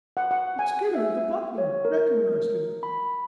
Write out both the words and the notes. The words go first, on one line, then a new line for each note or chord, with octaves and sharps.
"But Skinner--the butler--recognised him?"
F#5
F#5
G#5
E5
C#5
A#4
B5